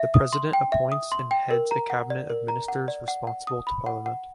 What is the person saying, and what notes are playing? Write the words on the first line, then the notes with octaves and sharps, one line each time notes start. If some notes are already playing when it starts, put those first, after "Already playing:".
The President appoints and heads a cabinet of ministers responsible to Parliament.
Already playing: E5
D#6
C6
G5
E5
D#6
C6
G5
A#4
A#5
F#5
D5
A#4
A#5
F#5
D5
F#5
F#5
D#6
B5
F#5
F#5